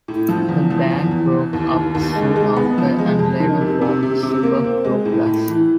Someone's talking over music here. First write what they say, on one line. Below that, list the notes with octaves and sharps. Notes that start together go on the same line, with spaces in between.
The band broke up soon after, and Laner formed supergroup Lusk.
A2
F3
E2
F3
E2
E2
E3
D#2
D#2
D#2
G#3
G#3
B3
F3
G#3
F2
D#3
C3
C3
C3
C3
A#3
C4
G#3
A2
A2
E3